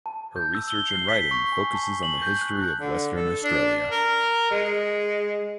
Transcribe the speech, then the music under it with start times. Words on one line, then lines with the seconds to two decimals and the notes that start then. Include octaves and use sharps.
Her research and writing focuses on the history of Western Australia.
0.06 A5
0.36 G6
0.55 E6
0.70 G7
0.91 C7
1.08 B6
1.31 C#6
1.52 G#5
1.74 A5
2.03 F#7
2.22 G6
2.41 F#6
2.80 D3
3.16 A4
3.43 D4
3.91 A#4
4.51 G#3